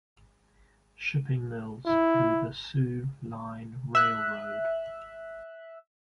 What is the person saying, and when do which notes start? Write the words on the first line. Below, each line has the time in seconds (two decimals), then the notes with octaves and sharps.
Shipping Mills through the Soo Line Railroad.
1.86 E4
3.95 E5 F#6